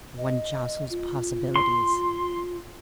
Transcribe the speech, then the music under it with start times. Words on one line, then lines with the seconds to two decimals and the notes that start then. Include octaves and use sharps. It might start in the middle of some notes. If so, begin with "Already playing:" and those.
One jostles possibilities.
0.18 D#5
0.90 F4
1.56 C6